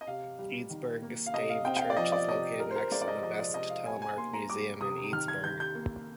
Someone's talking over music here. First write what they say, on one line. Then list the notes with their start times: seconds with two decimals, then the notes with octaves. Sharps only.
Eidsborg Stave Church is located next to the Vest-Telemark Museum in Eidsborg.
0.01 D#5
0.07 C3 F5
0.39 G3
0.70 D#3
1.03 A#3
1.26 F5
1.33 C3 D#5
1.49 F5
1.65 C4 G5
1.77 G5
1.81 F5
1.90 D5
1.97 F3 D#5
2.12 D5
2.28 C3 D#5
2.59 C3 A#4
2.71 C5
2.76 A#4
2.92 G#3 D5
3.02 D5
3.08 D#5
3.23 F3 D#5
3.39 D5
3.54 C3 D#5
3.70 F5
3.86 C3 G#5
4.02 G#5
4.17 A#3 C6
4.34 A#5
4.49 G3 D6
4.81 C3 D#6
5.12 D#3 F6
5.28 G#6
5.43 D#3 G6
5.60 G6
5.75 A#3